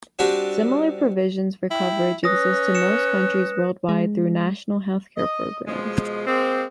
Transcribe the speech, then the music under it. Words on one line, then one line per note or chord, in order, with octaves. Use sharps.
Similar provisions for coverage exist in most countries worldwide through national health care programs.
G3 C4 D4 F#4
E4 G5
C#4 B4 D#6 A#6
C#7 E7
G#3
D#5
B2 F3 G#3
G#3 A#3 C4